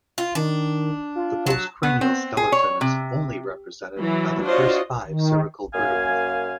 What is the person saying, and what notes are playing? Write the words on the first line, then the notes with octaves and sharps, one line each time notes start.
The postcranial skeleton is only represented by the first five cervical vertebrae.
F4
D#3 D4
F4
F#3 A5
B3
C4
G#4
C#5
C3
E3 F#3
D4 F4 F#4 C5 C#5 D#5
D#3
F#2 A#3 F5 G#5